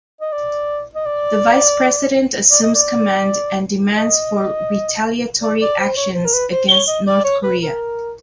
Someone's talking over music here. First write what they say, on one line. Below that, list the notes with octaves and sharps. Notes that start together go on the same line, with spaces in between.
The Vice President assumes command and demands for retaliatory actions against North Korea.
D#5
D5
D#5
D5
D5
D#5
D5
D#5
D5
D5
C5
C#5
C5
A#4
B4
C5
C#5
D#5
D5
C#5
B4
A#4